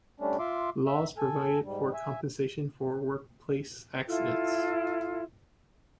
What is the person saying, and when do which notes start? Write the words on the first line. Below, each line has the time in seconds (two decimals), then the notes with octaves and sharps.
Laws provided for compensation for workplace accidents.
0.20 G3 A3 C#4 D4
0.39 F4 E5 C6 D6
0.86 E5
1.18 A4 G#5
1.65 G#2 G3
1.94 E5 G#5
4.07 E4 F4 A4